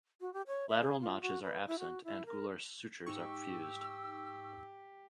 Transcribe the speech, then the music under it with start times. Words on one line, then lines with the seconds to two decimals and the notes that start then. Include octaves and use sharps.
Lateral notches are absent and gular sutures are fused.
0.21 F#4
0.34 G4
0.47 C#5
0.69 E5
0.81 G#4
1.01 F4
1.22 F#4
1.43 B4
1.67 E4
1.79 F#4
2.04 E4
2.26 A#4
3.07 G#2 D#4 G4 C#6 E6